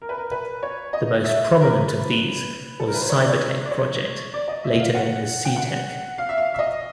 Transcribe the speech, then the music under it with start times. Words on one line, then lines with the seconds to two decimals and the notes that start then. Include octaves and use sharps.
The most prominent of these was Cyber-Tec Project - later known as C-Tec.
0.02 A#4
0.09 B4
0.17 A#4
0.31 B4
0.63 C#5
0.93 D#5
1.24 E5
1.61 A#4
1.66 B4
2.80 A4
2.87 A#4
2.94 B4
3.02 C5
3.10 C#5
3.24 D5
3.30 C#5
3.51 C5
3.65 D5
3.71 C#5
4.33 D5
4.48 D#5
4.64 E5
4.79 F5
4.95 F#5
5.45 G5
5.56 F#5
6.18 F5
6.29 E5
6.38 F5
6.54 E5
6.59 D#5